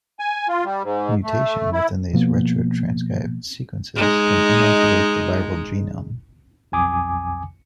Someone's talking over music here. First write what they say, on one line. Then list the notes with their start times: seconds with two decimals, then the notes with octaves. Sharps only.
Mutation within these retro-transcribed sequences can inactivate the viral genome.
0.19 G#5
0.49 F4
0.65 G3
0.83 G#2
1.24 A3
1.73 E4
2.13 B2 F3 A#3 B3
3.97 G#3 D#4
6.72 B1 F2 G#5 D6 D#6